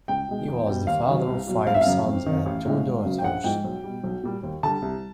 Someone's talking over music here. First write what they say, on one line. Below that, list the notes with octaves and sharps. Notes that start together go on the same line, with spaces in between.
He was the father of five sons and two daughters.
C#2 G5
B2 G#3
E2
B2 G3
D#2 F5
D#3 F#3
C2
B2 F#3
G1 F5
E5
F5
F#2 C#3
F2
C3 D#3
A1
A2 F3 G#3
G#1
F#2 C#3 F#3
G5
A#1 F#5
G#2 F3 G#3 G5
B1
B2 G3
B1
A#2 G3
D#2
D3 G3 A5
C2